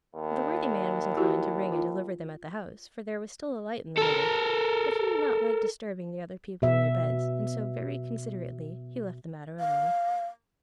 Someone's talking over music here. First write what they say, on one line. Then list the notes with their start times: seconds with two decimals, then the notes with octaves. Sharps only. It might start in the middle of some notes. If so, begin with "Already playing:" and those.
The worthy man was inclined to ring and deliver them at the house, for there was still a light in the window; but he did not like disturbing the other people in their beds, and so very considerately he left the matter alone.
0.16 D#2
1.17 E4 F#4 G4
1.72 F4
3.98 A4 A#4
6.62 B2 E5
9.60 F5